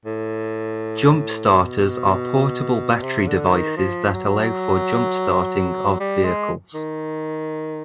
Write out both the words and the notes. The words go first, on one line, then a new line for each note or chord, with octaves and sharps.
Jump starters are portable battery devices that allow for jump starting of vehicles.
A2
B2
C3
D3
D#3
F3
F#3
G3
G#3
D#3